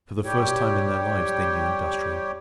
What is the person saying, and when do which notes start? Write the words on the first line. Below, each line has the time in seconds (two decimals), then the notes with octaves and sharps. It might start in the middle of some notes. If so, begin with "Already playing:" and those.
For the first time in their lives they knew industrial peace.
0.25 G3 G4 C#5 G5